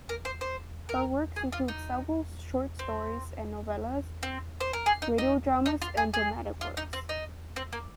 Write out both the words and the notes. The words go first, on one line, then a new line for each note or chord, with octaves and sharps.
Her works include several short stories and novellas, radio dramas, and dramatic works.
A#4
C5
C5
A#4
G#4
F4
D#4
C4
C4
C5
A#4
G#4
D#4
D#4
D#4
F4
G#4
G#4
F4
D#4
C4
D#4
C4
A#3